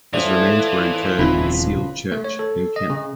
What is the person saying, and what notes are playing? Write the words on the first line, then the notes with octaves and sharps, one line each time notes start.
His remains were interred in Seal church in Kent.
A2 E3 F3 C5 D5
D#1 C#3 C4 D#4 F4 B4
A3
C#5
A4
D#5
C#3